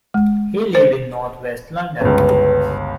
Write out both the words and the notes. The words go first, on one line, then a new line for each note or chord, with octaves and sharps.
He lived in northwest London.
G#3
C5
G1 C#2 B4